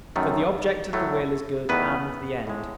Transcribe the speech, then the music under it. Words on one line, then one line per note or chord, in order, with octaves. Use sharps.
For the object of the will is good and the end.
F#2 D#3 A3
A2 F#3 A3
E2 D#3 A3 B3 B4
A2 G#3